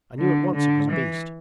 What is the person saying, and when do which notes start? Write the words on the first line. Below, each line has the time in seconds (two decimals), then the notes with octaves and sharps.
I knew at once it was a beast.
0.19 D3
0.55 D3
0.90 E3